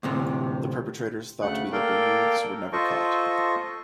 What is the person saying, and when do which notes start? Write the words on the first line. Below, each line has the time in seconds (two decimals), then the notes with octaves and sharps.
The perpetrators, thought to be local youths, were never caught.
0.03 D2 A2 C3
1.42 D2 C#3 A3 F#5 F#6
1.72 A#3 A4 A#4 D5 F5 G5
2.72 F4 A4 C5 D#5 C#6